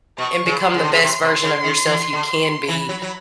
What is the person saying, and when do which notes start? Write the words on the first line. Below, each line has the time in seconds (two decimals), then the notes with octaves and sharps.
and become the best version of yourself you can be
0.18 B2 C#6
0.46 C#3
0.60 C6
0.74 C#3
0.83 D3
0.92 C#3
1.02 C3
1.23 C3
1.43 C#3
1.64 D#3
1.85 E3
2.13 D3
2.68 E3 B5
2.89 F#3
3.02 F#3